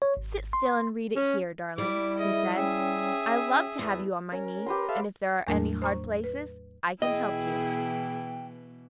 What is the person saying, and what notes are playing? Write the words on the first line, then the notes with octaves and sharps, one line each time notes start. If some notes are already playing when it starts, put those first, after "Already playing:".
"Sit still and read it here, darling," he said, "I love to have you on my knee, and if there are any hard places I can help you."
C#5
G#1
C6
C#4
G3 E4 D6
G#4 D#5 E5
C#4 G#4 C#5 E5 G5
E2
C#4 A#4
G4 B4 C6
A4 E5 F5
E2 A2 F#3 A3 D4 A#4
C5 A#5 C#6
B4
B2 E3 E4 G#4 D#5 G5